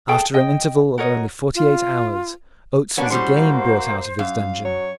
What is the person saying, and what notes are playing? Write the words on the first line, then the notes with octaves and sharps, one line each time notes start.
After an interval of only forty-eight hours, Oates was again brought out of his dungeon.
G#4 A4 E5 G5
D#5 G5
F#4 A#4 C#5 D#5
F4
F#3 A#3 B3 C#4 D4 F#5
A2 G3 C#4 F#4 C5 C6
A#3
F#2 F5
F#3 C#5